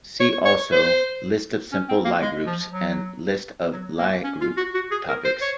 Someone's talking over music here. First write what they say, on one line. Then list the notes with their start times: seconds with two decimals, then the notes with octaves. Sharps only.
See also: List of simple Lie groups and List of Lie group topics.
0.20 C#5
0.45 C#5
0.72 C5
1.72 C#4
1.89 C4
2.05 A#3
2.22 G#3
2.47 F3
2.73 F#3
3.73 F#3
3.98 A#3
4.24 C#4
4.41 F4
4.57 F#4
4.74 F#4
4.91 G#4
5.08 A#4
5.24 C5
5.42 C#5